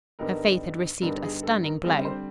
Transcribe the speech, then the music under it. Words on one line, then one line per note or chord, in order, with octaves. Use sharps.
Her faith had received a stunning blow.
G2 D3 G3 B3 D#4 A#4
G2 D3 G3 B3 D#4 A#4
G#4
A4
A#4
D3 G3 C4 G#4
C5